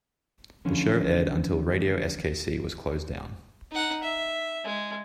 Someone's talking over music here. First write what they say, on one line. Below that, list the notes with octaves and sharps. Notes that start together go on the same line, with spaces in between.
The show aired until radio skc was closed down.
D2 D3 E3 F3 C#4
D#4 F#5
E5
G#3